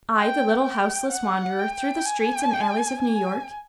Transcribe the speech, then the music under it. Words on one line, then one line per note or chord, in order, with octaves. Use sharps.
I, the little houseless wanderer through the streets and alleys of New York?
G5
G5
F#5
G5
G#5
G#5